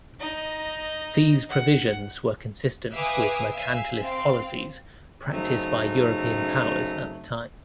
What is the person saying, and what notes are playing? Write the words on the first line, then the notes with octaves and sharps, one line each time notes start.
These provisions were consistent with mercantilist policies practice by European powers at the time.
D#4 D#5
F#5
B4 E5 F5 G#5 D6 D#6
E5 F5 G#5
C4 F5
F#2 C#3 A3 C4 D#4